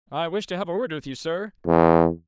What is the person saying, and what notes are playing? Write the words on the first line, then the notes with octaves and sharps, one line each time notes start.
"I wish to have a word with you, sir."
E2